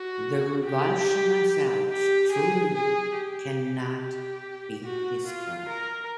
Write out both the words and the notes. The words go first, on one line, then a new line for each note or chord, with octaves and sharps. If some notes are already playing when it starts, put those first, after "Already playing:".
The revulsion I felt truly cannot be described.
Already playing: F#4
G4
G4
G#4
G#4
G4
G4
F#4
F4
A#4